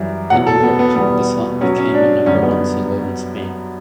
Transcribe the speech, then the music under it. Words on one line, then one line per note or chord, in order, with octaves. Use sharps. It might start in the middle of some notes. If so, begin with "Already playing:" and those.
In Europe, the song became a number one single in Spain.
Already playing: F#2 E3 G3
E2 B2 F#3 F#5
A4
B3
B3
E2 B2 G3 B3
B2 F#3 C#4
C#4
D4
F#2 D3 G3 C#4
B3